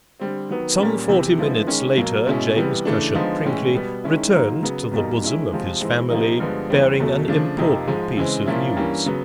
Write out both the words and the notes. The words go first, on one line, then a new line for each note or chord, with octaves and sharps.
Some forty minutes later James Cushat-Prinkly returned to the bosom of his family, bearing an important piece of news.
D3 G3 C4
D#3 F#3 B3
A#2 G3 A#3 C#4
E2 C3 E3
D3 F3 G#3 B3 E4
D#3 G#3 C#4
B2 F#3 A#3
B2 G#3 C#4 E4
C3 E3 G3 B3
C#3 E3 A3 D4
D3 F3 G#3 B3 D#4
A2 E3 G#3 C#4
B2 G3 B3
D#3 G#3 C#4 E4
G#2 D#3 F#3 A#3
C#3 F#3 B3
E2 B2 G3 A#3 D#4
D#3 G#3 C#4 E4
C3 F3 G#3
G#2 E3 G#3 C4
C3 F3 A#3 D#4
G2 D3 F3 G#3 B3
E2 C#3 E3 G3 C4
E2 B2 F#3 A3
C#3 F3 A3 D4
F2 C3 F3 A#3 D#4
G#2 F3 G#3
C#3 E3 G#3 C4
A#2 F3 A#3 C#4 E4
G2 E3 G3 A#3 C#4
C#3 F#3 B3